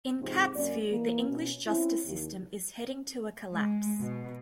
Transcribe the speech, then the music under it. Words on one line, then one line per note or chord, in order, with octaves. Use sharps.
In Catt's view the English justice system is heading to a collapse.
G#2 C3 F3 C4
F#2 A#3 C#4 D5
E3 A#3
B2 C#4
C4 C#4 E4
D#2
G#3
B2